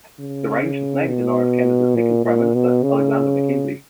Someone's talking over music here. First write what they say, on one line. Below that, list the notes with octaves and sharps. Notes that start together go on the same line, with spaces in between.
The range is named in honour of Canada's second prime minister, Alexander Mackenzie.
C#3
B2
A#2
A#2
B2
C#3